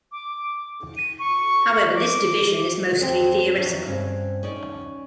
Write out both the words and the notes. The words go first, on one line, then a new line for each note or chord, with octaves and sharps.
However, this division is mostly theoretical.
D6
D#7
C#6
D6
F2 C4 C5 G5
F2 F#3 D4
G2 C4 C#4
C#4 D#4 D5